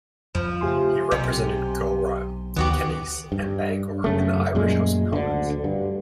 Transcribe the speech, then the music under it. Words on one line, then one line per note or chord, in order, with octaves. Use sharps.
He represented Gowran, Canice and Bangor in the Irish House of Commons.
F2 F3
C#3 A3 G4 G#5 C6
B1 C3
D2 D#3 B3 F#4 G4
G2
F#2 C#3 A3
F#2 A#2 G#3
D2 D3
G2